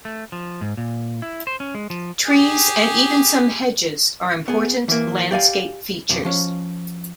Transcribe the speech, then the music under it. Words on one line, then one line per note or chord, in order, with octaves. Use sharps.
Trees and even some hedges are important landscape features.
A3
F3
G#2
A#2
E4
C5
C#4
G#3
F3
G4 G#4
B3 G#4
E3 A#3
G4 D5 F5 G#5
B1 F2
F3 C#4